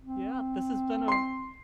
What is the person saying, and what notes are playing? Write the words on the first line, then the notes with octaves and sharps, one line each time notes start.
yeah, this has been a f
C4
C6 C7